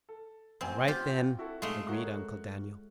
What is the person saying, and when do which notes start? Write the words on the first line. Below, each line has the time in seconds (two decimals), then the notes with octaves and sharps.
"All right, then," agreed Uncle Daniel.
0.09 A4
0.61 A1 C4 G#5
0.88 F4 G4
1.39 E4 F#4 A4
1.62 G#3 A3 F5 G7
1.88 F#4 A#4 C#5